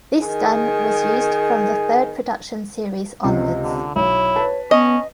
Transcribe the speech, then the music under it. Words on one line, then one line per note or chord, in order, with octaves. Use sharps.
This gun was used from the third production series onwards.
D#3 G#4
C#2 C3 D#5
D3
B1 E4 C#5
B4 A5
B3 C#4 D#5